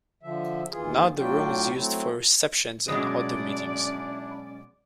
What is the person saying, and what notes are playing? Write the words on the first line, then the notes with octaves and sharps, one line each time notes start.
Now the room is used for receptions and other meetings.
D3 F3 E5
D#2 E3 F4 G#4
A2 F#3 D4 F4 F#4 G5
F#3 A3 C4 E4
B2 F#3 G#3 C#4 D4 E4 D5